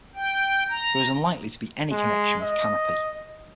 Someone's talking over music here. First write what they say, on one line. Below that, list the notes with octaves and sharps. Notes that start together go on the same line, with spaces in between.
There is unlikely to be any connection with "canopy".
G5
A#5
G#3
D#5